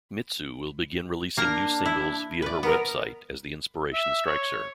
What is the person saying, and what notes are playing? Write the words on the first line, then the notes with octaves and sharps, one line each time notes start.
Mitsou will begin releasing new singles via her website as the inspiration strikes her.
A#3 D4 A#4 A#5
E4
E4 B4 D5
B3 A#4 B4
E5
C#5